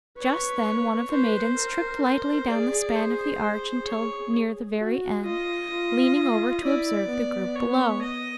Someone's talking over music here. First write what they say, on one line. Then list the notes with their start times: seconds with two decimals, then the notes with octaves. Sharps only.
Just then one of the maidens tripped lightly down the span of the arch until near the very end, leaning over to observe the group below.
0.18 B4 C#5
1.10 B4 C5
1.57 A#4
2.03 C5
2.49 G#4 D5
2.95 C5
3.41 G#4
3.87 C#5
4.80 F#4
5.25 F4 D#5
5.71 F4
6.63 E4 D5
7.09 B3
7.55 C#5
8.02 D#5